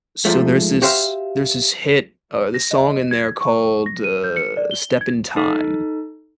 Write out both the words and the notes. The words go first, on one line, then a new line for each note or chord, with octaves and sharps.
So there's this there's this hit, uh, the song in there called, uh, “Step in Time,”
G#2 F3 A3
F#4 G4 C5 E5 F5
A#6
D#5
G#6
C#6
A#6
D#7
G6
C#7
D5
G7
G#6
D#4 A4